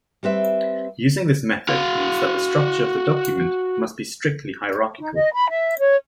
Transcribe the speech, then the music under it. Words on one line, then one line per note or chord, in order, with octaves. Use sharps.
Using this method means that the structure of the document must be strictly hierarchical.
G3 C4 B4 E5
F#4 F5
D#4
D#5
B5
E5
C#5